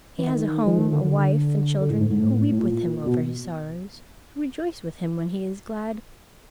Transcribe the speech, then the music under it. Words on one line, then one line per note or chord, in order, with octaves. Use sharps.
He has a home, a wife, and children, who weep with him over his sorrows, who rejoice with him when he is glad.
E3
D#3
F3
D#3
D3
D3
D3
A2
G#2
G#2
A2
A2
A#2
B2